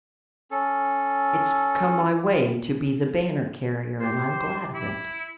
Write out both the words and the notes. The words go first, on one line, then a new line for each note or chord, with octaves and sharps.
It's come my way to be the banner-carrier, and I'm glad of it.
C#4 A4
G4 C5
E4